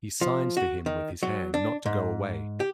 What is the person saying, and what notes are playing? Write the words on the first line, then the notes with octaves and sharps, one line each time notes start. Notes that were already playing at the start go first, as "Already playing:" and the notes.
He signs to him with his hand not to go away.
F3
F#4
D#3
F#3
D4
G#2
G4